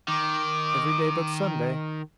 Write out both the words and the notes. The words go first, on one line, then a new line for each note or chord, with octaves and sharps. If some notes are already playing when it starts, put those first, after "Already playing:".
"Every day but Sunday."
D#3 D6